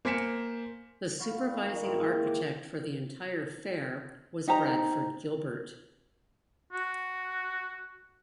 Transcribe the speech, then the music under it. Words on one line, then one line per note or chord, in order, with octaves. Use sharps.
The supervising architect for the entire fair was Bradford Gilbert.
A#3 C5 G#5 B6 C#7 E7
F#4 F5 B5 C#6
G3 F4
D#3 G3 G4
G#2 E3 A#3 C#6
C4
D6
D#4 G4 C5 A#5
F#4